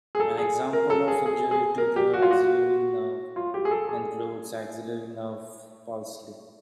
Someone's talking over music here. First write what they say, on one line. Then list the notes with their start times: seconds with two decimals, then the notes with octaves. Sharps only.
An example of injury to the axillary nerve includes axillary nerve palsy.
0.15 G#4
0.20 A4
0.38 G#4
0.73 A#4
0.90 A4
1.08 G#4
1.26 G#4
1.51 G#4
1.78 A#4
1.96 G4
2.13 F#4
2.22 F4
2.31 F#4
3.36 F4
3.54 G4
3.65 G#4
3.71 A4
3.89 G#4